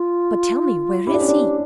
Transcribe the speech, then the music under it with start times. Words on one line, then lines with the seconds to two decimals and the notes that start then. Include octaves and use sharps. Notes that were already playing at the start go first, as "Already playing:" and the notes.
But tell me where is he?
Already playing: F4
1.07 E4 G4
1.14 D4
1.21 C#4
1.28 D4